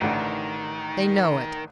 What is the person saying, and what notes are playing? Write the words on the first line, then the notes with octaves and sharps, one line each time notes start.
They know it.
A1 D3 D#3